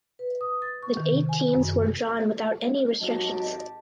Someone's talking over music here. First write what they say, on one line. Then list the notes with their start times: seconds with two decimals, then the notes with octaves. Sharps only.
The eight teams were drawn without any restrictions.
0.19 B4
0.41 D#6
0.62 A6
0.83 C#6
0.97 D#3
1.09 C3
1.29 G#5
1.54 F#2
3.01 G#1 F#3 G4 D#5 A5